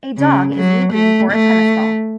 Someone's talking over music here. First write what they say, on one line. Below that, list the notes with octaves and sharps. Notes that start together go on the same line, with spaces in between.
A dog is leaping for a tennis ball.
C#3
F#3
A3
A3